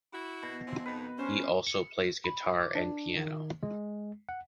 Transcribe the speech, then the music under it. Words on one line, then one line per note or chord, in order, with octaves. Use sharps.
He also plays guitar and piano.
E4 F#4
B2
E3 F3 C4
F2 D#4 B4
G2 C#4 C5
C#7
B5
D6
D4
D#3
G#3
F#5